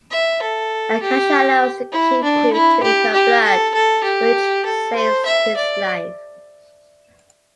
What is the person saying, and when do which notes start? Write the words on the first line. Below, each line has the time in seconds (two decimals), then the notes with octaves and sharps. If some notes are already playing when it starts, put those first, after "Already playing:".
Akasha allows the king to drink her blood, which saves his life.
0.11 E5
0.42 A4
1.02 G4
1.92 E4
2.23 D4
2.53 E4
2.83 G4
3.13 G4
3.43 A4
3.74 A4
4.04 G4
4.65 A4
4.95 C5
5.26 E5
5.56 D5